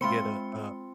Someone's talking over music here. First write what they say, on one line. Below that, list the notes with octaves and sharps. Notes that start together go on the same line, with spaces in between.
get a a a
G#3 C4 F4 B5 C#7